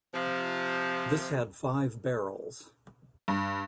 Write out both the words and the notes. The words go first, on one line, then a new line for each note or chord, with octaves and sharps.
This had five barrels.
C3 F3
G2